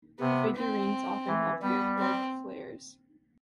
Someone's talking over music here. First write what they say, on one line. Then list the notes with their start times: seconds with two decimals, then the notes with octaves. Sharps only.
The figurines often have earplug flares.
0.19 C3 B3
0.55 C4
1.27 E3
1.62 G3 B3
1.98 C4